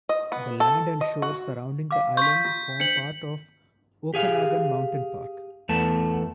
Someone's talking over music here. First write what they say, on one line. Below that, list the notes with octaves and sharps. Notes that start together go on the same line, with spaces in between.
The land and shore surrounding the island form part of Okanagan Mountain Park.
D#5
B3
A4
D#5
F#4
F5 D6
C6 C#6 G6 B6
F4
D4 C5 C#7 F#7
G4 G#4 F5
E2 A3 B3 A5